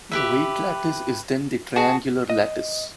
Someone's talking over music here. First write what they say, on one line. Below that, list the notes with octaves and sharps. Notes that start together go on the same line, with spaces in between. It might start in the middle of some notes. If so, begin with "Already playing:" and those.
The weight lattice is then the triangular lattice.
G4 B4 E5
F#4 G#4 A5
D#5